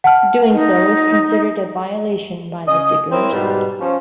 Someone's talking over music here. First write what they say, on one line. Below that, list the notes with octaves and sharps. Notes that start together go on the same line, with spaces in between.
Doing so was considered a violation by the Diggers.
F#5 A5 F6
D#4
C#3 G#4 D#5
C4 E4 A#4 C5 C#5
G#2 B2 G3
F3 C#4